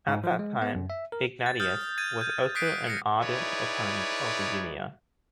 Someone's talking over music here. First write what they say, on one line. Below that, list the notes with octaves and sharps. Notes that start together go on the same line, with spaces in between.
At that time, Ignatius was also an ardent opponent of the Unia.
G#2
F3
G#3
B3
F#2
E5
A#4
A6
D#6 F6 G6 A6
G#6 A6 D#7
G6
D#6 F#6 B6 C7 D7
A#6 C#7
D#4 E4 G#4 B4 C#5 D5